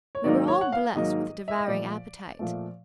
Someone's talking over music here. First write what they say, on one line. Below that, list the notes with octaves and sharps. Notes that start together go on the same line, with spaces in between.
We were all blessed with a devouring appetite.
C#5
G#2 D#3 F#3 A#3 D#4 D5
C#5
F#5
F5
G#2 D#3 F#3 A#3 D#4 D#5
E5
D#5
A#2 F3 A3 D5
A#2 F3 A3